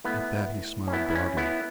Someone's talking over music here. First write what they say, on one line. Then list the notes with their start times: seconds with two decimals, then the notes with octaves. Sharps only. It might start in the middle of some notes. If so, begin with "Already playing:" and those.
At that he smiled broadly.
0.04 A2 A3 B3 E4
0.87 C#4
0.93 B3 E4
1.10 E4
1.15 C#4
1.37 B3 E4